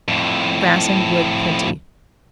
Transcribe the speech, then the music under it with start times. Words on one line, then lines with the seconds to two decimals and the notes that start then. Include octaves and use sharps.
Grass and wood plenty.
0.08 F2 A2